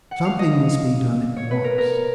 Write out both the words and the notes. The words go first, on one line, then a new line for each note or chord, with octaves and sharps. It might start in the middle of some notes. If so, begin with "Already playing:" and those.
Something must be done at once.
F#5
F5
D#5
C#5
B4
A#4
A#4